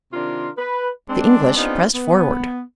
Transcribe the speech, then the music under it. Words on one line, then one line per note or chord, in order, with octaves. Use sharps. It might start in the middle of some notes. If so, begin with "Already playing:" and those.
The English pressed forward.
C3 D#3 D4 F4 A#4 C6
B4
G#3 C4 D4
B3 C4 D4 D#4 F4 G#4
B3